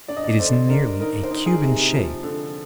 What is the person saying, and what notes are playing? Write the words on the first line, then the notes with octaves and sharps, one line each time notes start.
It is nearly a cube in shape.
D4 D5
D#5
D5
D3 C5
D4 A#4
D#4 A#4
C5
D#4
G#4
C3
F3
D3